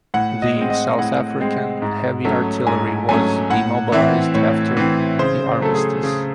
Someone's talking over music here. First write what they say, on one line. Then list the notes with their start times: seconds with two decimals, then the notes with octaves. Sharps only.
The South African Heavy Artillery was demobilised after the Armistice.
0.14 A2 F#5
0.42 D#5
0.56 G#3 C4
0.70 D#5
0.98 A2 F#5
1.40 G#3 C4
1.82 G#2
2.25 F#3 A3 C#4
2.67 G#2 G#5
3.09 F#3 A3 C#4 G#5
3.50 A2 F#5
3.92 E3 C4 E5
4.35 A2 C#5
4.77 E3 C4
5.19 C#3 C5
5.47 C5
5.61 F#3 A3 A4
5.75 G#4
6.03 C#3